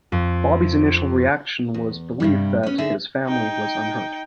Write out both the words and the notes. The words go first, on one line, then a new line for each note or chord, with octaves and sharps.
Bobby's initial reaction was relief that his family was unhurt.
F2
D7
E2
G2 C3 G3
B3 C#4
D3 D#4 G#4 E5
D#4 G5